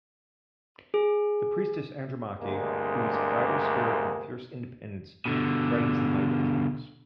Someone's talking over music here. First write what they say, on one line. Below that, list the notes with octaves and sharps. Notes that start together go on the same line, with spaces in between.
The priestess Andromache, whose fiery spirit and fierce independence threatens the might of kings.
G#4
D2 G2 C3 G#3 A#3
B2 D3